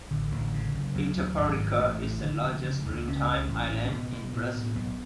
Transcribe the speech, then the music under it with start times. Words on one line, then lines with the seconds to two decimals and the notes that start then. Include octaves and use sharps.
Itaparica is the largest maritime island in Brazil.
0.11 A1 D3
0.32 A1
0.54 C#3
0.75 F#1
0.95 D2 F#3
1.16 D2
1.38 G#1
1.59 G#2
1.80 A1 A3
2.02 A2
2.22 D3
2.43 F1
2.65 C#3
2.86 D2
3.07 C#2 C#4
3.28 C#2
3.49 A1
3.71 A2
3.85 C#4
3.91 B2 B3
4.12 B2
4.33 A2
4.54 A2
4.76 B1 B3